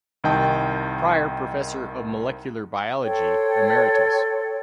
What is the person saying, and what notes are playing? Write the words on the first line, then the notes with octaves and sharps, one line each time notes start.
Prior Professor of Molecular Biology, Emeritus.
C2 D#3 D#5 G5 A5
A4 C5 C#5 G5